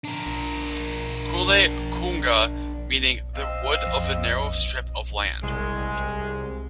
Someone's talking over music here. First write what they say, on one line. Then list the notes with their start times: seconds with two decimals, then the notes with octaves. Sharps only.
"Coille Cunga" meaning "The Wood of the Narrow Strip of Land".
0.05 D4 A#4
3.35 C4 D#5 F5 E6
3.87 F2
5.43 C2 G#3